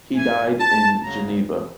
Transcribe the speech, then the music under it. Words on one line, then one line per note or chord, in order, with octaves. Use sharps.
He died in Geneva.
G#2 E3 G#5
A5
F#2 C#3 F#3 A#5